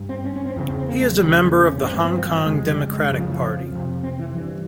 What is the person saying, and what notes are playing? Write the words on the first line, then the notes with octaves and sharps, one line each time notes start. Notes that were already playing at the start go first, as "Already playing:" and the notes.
He is a member of the Hong Kong Democratic Party.
Already playing: G2
C4
C#4
C#4
C4
E2 C#3
C4
C4
A#3
G#3
E2 C#3 G3
G#3
A#3
C#4
C#4
G2 C4
A#3
C4
F3
F3
F2 C#3 G#3
G3
G#3
G#3
F2 C#3 G3
F3
E3
F3
F2 C3
C4
E3
G2 E3